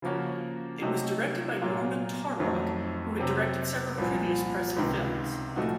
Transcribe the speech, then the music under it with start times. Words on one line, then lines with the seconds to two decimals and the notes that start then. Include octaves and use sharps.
It was directed by Norman Taurog, who had directed several previous Presley films.
0.02 C#3 F3 A#3 C#4 F#4
0.82 C3 F#3 A3 D#4 F#4
1.62 A#2 F#3 A#3 F4
2.40 F2 D#3 F#3 A3 C4
3.19 C3 F#3 C4
3.98 C2 A#2 F3
4.77 C#2 C3 D#3
5.56 A#2 F3 A3 D#4 F#4